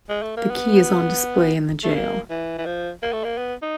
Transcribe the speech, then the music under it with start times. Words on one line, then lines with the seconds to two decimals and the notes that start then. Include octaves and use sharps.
The key is on display in the jail.
0.09 G#3
0.23 A3
0.37 A#3
0.50 B3
1.84 A3
1.94 A#3
2.30 E3
2.58 E3
2.66 F3
3.03 A#3
3.13 A3
3.24 A#3
3.38 B3
3.62 D#4